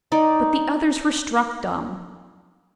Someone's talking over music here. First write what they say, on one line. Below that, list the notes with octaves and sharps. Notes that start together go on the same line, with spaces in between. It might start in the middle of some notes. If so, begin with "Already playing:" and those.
But the others were struck dumb.
D#4 D5